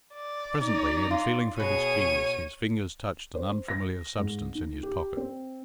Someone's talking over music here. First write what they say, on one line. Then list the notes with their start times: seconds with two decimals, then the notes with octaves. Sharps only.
Presently, in feeling for his keys, his fingers touched an unfamiliar substance in his pocket.
0.14 D5
0.61 D#4
1.11 F4
1.60 B2 G#4 C#5 D#7
3.35 C5
3.68 A#6
4.19 G#2
4.55 D#4
4.83 G4
5.17 C4